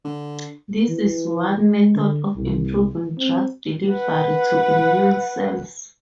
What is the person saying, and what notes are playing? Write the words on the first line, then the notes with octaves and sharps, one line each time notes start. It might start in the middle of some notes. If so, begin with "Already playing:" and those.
This is one method of improving drug delivery to immune cells.
D3
E3
G#3
D3
C2
C4
B4 F#5